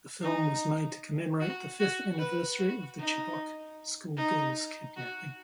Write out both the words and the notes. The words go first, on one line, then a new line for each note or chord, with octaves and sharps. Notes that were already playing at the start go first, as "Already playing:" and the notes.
The film was made to commemorate the fifth anniversary of the Chibok schoolgirls kidnapping.
D#4
F#4
F#4
B4
F#4
D#4
D#4
F#4